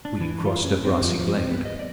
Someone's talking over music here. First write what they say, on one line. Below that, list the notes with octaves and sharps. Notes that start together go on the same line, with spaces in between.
We crossed a grassy glade.
D4
E3
F4
C#4
C4
F3
F3
C4
B3
D#5
D5